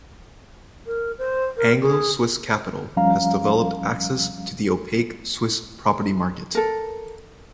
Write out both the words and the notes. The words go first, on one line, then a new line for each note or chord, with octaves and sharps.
Anglo Swiss Capital has developed access to the opaque Swiss property market.
A#4
C5
A#4
G#4
D#2 F3 G3 C#4 F5 A#5
A4 A#4